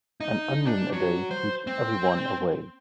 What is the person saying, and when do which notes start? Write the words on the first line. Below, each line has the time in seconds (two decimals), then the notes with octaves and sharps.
An onion a day keeps everyone away.
0.20 D#4
0.66 D4
0.93 F#3
1.31 C5
1.67 C4